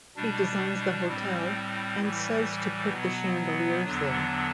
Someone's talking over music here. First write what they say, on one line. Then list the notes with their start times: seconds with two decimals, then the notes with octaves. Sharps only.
He designs the hotel and says to put the chandeliers there.
0.16 B2 G3 D4
1.08 A2 G3 C4
2.01 A2 E3 G3
2.92 B2 F#3 B3
3.84 E2 D3 F#3 B3 D4